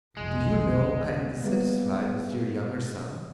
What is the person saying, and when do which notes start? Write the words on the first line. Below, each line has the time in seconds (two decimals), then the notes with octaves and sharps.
Do you know I am dissatisfied with your younger son?
0.17 F1 B1 G#3
1.40 G3 G#3 A#3 B3 E4 G#4